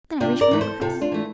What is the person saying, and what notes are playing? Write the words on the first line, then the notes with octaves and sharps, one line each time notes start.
Then I reached for my glass.
C3 D4 F4
A#4 D5
E3 A3
A4 C5
C3 F4 A4
D4 F4
E3 A3